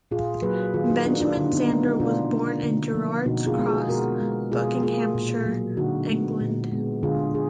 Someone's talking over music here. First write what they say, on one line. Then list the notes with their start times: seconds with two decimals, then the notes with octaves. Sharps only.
Benjamin Zander was born in Gerrards Cross, Buckinghamshire, England.
0.11 A#2 F4 G#4
0.42 F#3 A#3 G#4 B4
0.74 D#3 F4 G#4
0.90 D#4 F#4
1.05 A#3 D4 F4
1.21 D4 F4
1.37 D3 D4
1.53 B3 D#4
1.68 G#3 B3
1.84 B3 D#4
2.00 B2 D4 F4
2.31 A#3
2.63 D3
2.94 F3 A#3
3.25 B2 D#4 F#4
3.47 F4 G#4
3.57 G#3 B3
3.67 F4 G#4
3.88 B2 F#4 A#4
4.20 G#3 B3
4.52 B2 F4 G#4
4.83 A#3 F4 G#4
5.15 A#2
5.46 F#3 A#3
5.77 D3 D#4 F#4
6.09 G#3 B3
6.40 A#2
6.72 G#3 B3
7.03 D3 F4 G#4
7.34 G#4